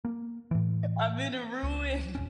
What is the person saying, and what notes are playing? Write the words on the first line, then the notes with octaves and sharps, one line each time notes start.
I'm in a ruin.
A#3
A2 E3
C#2
D#1 C2 C#4